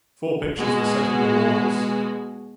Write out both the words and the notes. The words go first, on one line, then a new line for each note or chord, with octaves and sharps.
Four pictures were set in the walls.
B2 G#3 F#4